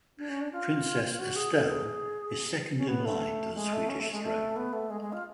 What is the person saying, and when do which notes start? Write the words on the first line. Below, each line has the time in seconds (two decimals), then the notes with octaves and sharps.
Princess Estelle is second-in-line to the Swedish throne.
0.18 D4
0.29 C#4
0.41 D4
0.52 F4
1.13 F4
1.19 F#4
1.36 G#4
1.53 A4
1.70 G#4
2.76 C#4
2.88 B3
3.05 A3
3.55 G#3
3.73 A3
3.89 C#4
4.00 A3
4.12 G#3
4.23 A3
4.56 B3
4.73 A3
4.90 G#3
5.01 G#3
5.13 F4